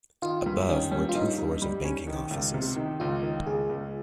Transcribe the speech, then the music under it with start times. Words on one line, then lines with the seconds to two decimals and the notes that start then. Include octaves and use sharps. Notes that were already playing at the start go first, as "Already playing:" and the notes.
Above were two floors of banking offices.
0.22 D#3 F4
0.46 G2
0.69 D#3 C#4
0.92 G2 C#4
1.09 F4
1.15 G2 D#4
1.38 G2
1.62 G3
1.85 C#4
2.07 D#3
2.31 C#2
2.54 C3
2.76 D#3
3.00 C#2 F4
3.23 D#3
3.47 C#2 G#4
3.69 C#2